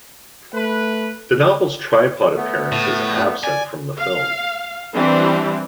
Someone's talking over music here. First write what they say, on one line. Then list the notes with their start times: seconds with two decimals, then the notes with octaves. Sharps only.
The novel's tripod appearance is absent from the film.
0.54 A3 B4
2.37 A3 B3
2.72 A2
3.44 D5 G#5
3.99 F5
4.95 E3 G3 C4 D4